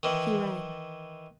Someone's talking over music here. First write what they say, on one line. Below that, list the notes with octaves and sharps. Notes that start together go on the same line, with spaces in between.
He rang.
D#3 E3